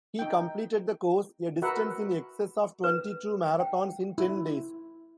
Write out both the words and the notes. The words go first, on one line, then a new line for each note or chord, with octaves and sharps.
He completed the course, a distance in excess of twenty-two marathons, in ten days.
D#4 G5
F#4 A#4 B4 E5 F#5
B4
G5
E4